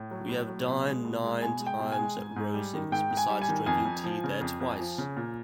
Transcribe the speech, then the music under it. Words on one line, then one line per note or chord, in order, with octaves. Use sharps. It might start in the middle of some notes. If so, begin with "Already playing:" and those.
We have dined nine times at Rosings, besides drinking tea there twice!
Already playing: A2
F#3
A2
F#3
B2
G#3
B2
G#3
B2 G#5
G#3
G5
B2
G#5
G#3
G#2
G#2
G3
D#3
G#2 G5
G#2
G#5
G3
G#5
D#3
F2 G#5
F2
F3
C#3
F2
F2
F3
C#3
A#2